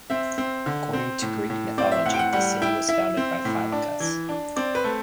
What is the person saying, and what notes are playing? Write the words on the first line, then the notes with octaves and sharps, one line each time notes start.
According to Greek mythology, this city was founded by Phylacus.
C4 E5
C4
D3
C4
A2
A2
C4 D5
E5
A2 F#5
G5
F#5
G3 F#5
E4 G5
E4 E5
C4
A2
D4
E3
D4
C4 D5
B4
A3